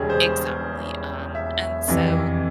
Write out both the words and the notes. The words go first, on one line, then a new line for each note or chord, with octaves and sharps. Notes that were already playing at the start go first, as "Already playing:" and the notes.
exactly, um, and so,
Already playing: E1 E2 C#3 G3 C#4 G4 G#4
C5
E5
F2 C3 E3